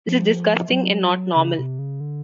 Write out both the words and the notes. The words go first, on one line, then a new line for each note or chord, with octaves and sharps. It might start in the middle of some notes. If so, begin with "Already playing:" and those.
This is disgusting and not normal!
F3
F#3
C#3
C3
C#3
D3